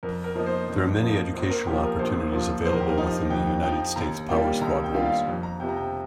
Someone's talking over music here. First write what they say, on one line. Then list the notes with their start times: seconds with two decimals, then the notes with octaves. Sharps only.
There are many educational opportunities available within the United States Power Squadrons.
0.03 F2 A#4
0.24 A#4
0.35 F3 A#3 D#4 D#5
0.46 C5
0.68 F2
1.01 F3 A#3 D#4
1.34 A#1 C5
1.50 A#4
1.66 A#2 F3 G4
1.83 A#4
1.99 A#1 C5
2.32 A#2 F3
2.65 F2 C5
2.73 A#4
2.80 G4
2.89 A#4
2.97 F3 D#4 D#5
3.30 F2 G5
3.47 G5
3.63 F3 D#4 G5
3.96 D#2 A#5
4.29 D#3 G3 A#3 F4 G5
4.61 D#2 A#5
4.84 G5
4.94 D#3 G3 A#3 F4
5.06 F5
5.27 F2
5.43 A#5
5.60 C3 F3 G5
5.69 A#5
5.76 G5